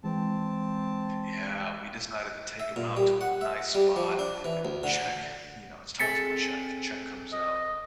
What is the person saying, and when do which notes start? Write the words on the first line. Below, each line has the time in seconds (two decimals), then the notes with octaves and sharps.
Yeah, we decided to take him out to a nice spot and check you know, it's time for the check. Check comes out
0.04 E3 G#3 C4 A5
2.60 E5
2.76 A#2
2.97 G3
3.21 F#5
3.41 E5
3.75 G3
3.96 F3
4.19 D4
4.45 E3
4.65 D2
4.83 D3
5.99 C4 G#4 A4 A6 B6 C#7
7.32 D#5